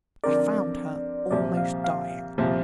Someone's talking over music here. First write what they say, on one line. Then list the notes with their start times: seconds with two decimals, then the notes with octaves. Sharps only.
I found her almost dying.
0.24 D3 F3 C4 A#4 D5
1.31 C2 A#2 F3 D5
1.57 F5
1.84 F5
2.38 C2 A#2 F3